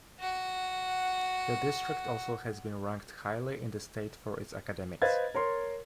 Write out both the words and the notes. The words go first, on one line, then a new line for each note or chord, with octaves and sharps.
The district also has been ranked highly in the state for its academics.
F#4 F#5
B4 C5 D#5 F5 G#6 A6
A#4 C#5 C6